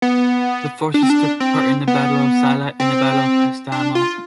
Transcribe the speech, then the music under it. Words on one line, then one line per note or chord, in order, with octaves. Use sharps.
The forces took part in the Battle of Salla and the Battle of Petsamo.
B3
D4
C4
D4
C4
B3
C4
D4
F4